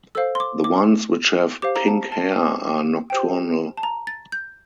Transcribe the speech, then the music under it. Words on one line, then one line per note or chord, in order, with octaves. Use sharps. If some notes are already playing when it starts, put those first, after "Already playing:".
The ones which have pink hair are nocturnal.
A4 C5 F5 E6
C6
D6
D6
G4 C5 F5 D6
A#5
A5
A5
G4 C5 G5
A5
A#5
A6
G6